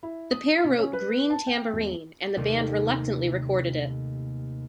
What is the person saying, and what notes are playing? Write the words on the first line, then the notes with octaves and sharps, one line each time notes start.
The pair wrote "Green Tambourine" and the band reluctantly recorded it.
E4
D#6
C3
C#4
B4
A5
G5
E1
D#2 C3 A3 A#3